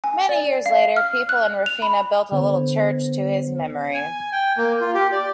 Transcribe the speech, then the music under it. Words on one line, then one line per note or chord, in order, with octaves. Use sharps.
Many years later, people in Rafina built a little church to his memory.
G#5
D5
F5
F6
F#6
F7
B5
D3 B3 C5
G#5
G5
A#3
F4
G4
D5